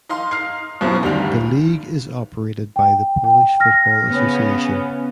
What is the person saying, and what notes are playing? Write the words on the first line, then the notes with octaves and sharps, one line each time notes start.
The league is operated by the Polish Football Association.
D#4 F5 C6
F6 C7
F#2 B2 C4 E4 F4
D2 G2 D#3 G3 F7
G5
G5
F6 A#6
C#3 B3 C#4